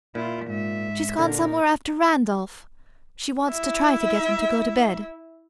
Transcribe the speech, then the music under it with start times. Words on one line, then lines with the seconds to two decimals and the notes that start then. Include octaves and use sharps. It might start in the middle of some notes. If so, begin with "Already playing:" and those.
She's gone somewhere after Randolph; she wants to try to get him to go to bed.
0.15 A#2 E4 F4
0.46 G#2 E5
1.19 A#2 D3 A#4
3.50 E4 E5